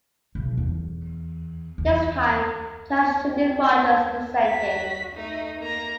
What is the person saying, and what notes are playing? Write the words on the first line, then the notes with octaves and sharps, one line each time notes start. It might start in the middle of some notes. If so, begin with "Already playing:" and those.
This time Judge Judith Rogers dissented.
B1
E2
E2
C4
A5
F#4 B6
A3 D#4
A#3 A#5